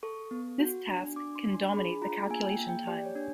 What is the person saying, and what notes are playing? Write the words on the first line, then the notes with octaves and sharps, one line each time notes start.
This task can dominate the calculation time.
A4 C#6
B3
F#4
D4
D4 D6
C6
D4
C6
G#4 B5
F4 A#5
A#3 G#5
G5
A#3
G5
G4 D5
C#5
D4